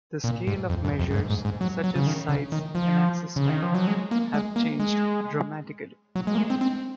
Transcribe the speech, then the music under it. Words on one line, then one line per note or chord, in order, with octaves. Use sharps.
The scale of measures such as 'size' and 'access time' have changed dramatically.
A#2
G#2
F2
F#2
F2
F#2
G#2
G#2
G#2
F#3
F#3
C#3
D#3
C#3
D#3
F3
C#3
D#3
F3
F#3
G#3
A#3
G#3
A#3
G#3
F#3
G#3
A#3
G#3
C4
C4